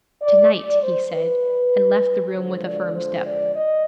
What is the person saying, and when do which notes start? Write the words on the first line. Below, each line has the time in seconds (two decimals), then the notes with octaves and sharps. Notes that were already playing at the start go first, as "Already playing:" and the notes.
'To-night!' he said, and left the room with a firm step.
0.22 D5
0.52 D5
0.82 C5
1.13 B4
2.35 D3 F3 G#3 C5
2.65 D5
2.95 C5
3.26 D5
3.56 D#5